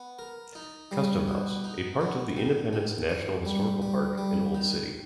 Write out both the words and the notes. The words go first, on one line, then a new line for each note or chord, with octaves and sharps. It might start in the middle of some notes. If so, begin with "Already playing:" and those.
Custom House, a part of the Independence National Historical Park, in Old City.
Already playing: B3
A#4
D#4
G3
B2
D#4
B3
D#3
D#3
C#4
G3
G3
G3
D#3